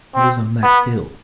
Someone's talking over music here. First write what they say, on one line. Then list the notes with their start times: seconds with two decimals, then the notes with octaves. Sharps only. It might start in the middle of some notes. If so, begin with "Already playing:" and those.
"I was on that hill."
0.15 C4
0.63 B3